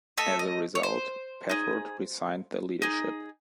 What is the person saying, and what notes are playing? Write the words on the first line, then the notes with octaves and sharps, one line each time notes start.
As a result, Pafford resigned the leadership.
A3 D#4 A4 E5
D#5
C#5
C5
D#4 G#4
D#4 G#4